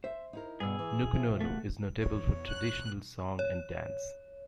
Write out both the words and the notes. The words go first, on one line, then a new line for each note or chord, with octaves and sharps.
Nukunonu is notable for traditional song and dance.
C5 E5
D#4 E4 A#4
G2 B2 G#4 E6
E3
C3 F3 F4
A3 A#3 F#5
E2 C#5
F#6
C#5